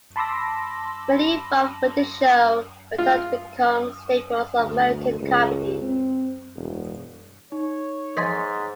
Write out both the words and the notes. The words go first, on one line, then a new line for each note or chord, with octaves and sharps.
Many involved with the show went on to become staples of American comedy.
A5 B5 C6 D6 E6 A#6
F4
D2
C#2
C4
E1
D#4 C#5
G#2 C5 D#5 G#5 A6 B6